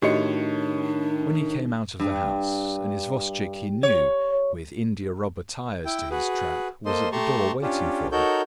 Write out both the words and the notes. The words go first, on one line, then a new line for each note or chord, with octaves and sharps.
When he came out of the house, an isvostchik he knew, with india-rubber tires to his trap, was at the door waiting for him.
A2 D#3 D4 F#4 G4 C#5 D#5 C#7
G2
C#5
E4 G5
F#4 G#4 B4
A#3 A4 C5 D#5 C6
A3 G4 A5 A#5 C6 C#6
C#4 D4 F4 G4
D#4 F#4 A4 A#4 C#5 G6